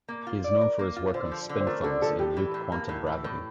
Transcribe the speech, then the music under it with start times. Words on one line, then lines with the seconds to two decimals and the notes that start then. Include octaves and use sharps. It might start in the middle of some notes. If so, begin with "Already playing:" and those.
He is known for his work on spin foams in loop quantum gravity.
0.08 A#3
0.27 F4
0.44 D5
0.61 A#4
0.79 A#3
0.96 F4
1.14 D3 C5
1.32 F3
1.49 D3
1.61 C5
1.67 A3 A#4
1.84 D3 A4
2.02 F3 A4
2.19 A2 G4
2.37 E3
2.54 A2
2.72 A#3
2.89 A2
3.07 E3
3.24 A2